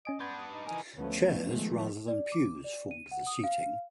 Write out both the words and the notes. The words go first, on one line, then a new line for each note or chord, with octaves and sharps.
Chairs rather than pews formed the seating.
C#4 D#5 G#5 D7
B3 D4 B4 C6 G6 G#6
D#6
D#4
E3 D#4 A#4 G#5
D2 F3 A3 B3 C#4
B2 D#3 F3 G#3 A3
D5
D6
D5
D#7
F#5
D#6
F5